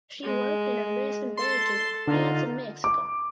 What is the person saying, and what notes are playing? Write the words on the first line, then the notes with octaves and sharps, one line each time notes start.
She worked in investment banking in France and Mexico.
G#3
A4 A5 C6
D3 D#4 F4
D6